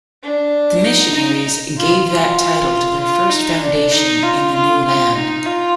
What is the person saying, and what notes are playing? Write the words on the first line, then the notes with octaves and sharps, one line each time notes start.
The missionaries gave that title to their first foundation in the new land.
D4
D#4
D#4
F4
F4
F4
D#4
D4
D#4
F4
F4
F4
D#4
F4